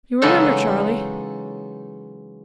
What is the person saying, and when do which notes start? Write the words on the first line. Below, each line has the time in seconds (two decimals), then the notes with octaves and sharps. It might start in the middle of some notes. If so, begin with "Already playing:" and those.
You remember, Charley?'
0.22 C#3 E3 F#3 G#3 D#4 A4